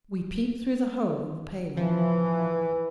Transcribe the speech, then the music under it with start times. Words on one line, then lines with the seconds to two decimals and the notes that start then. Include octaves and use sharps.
We peeped through the hole in the paling.
1.77 E3 F3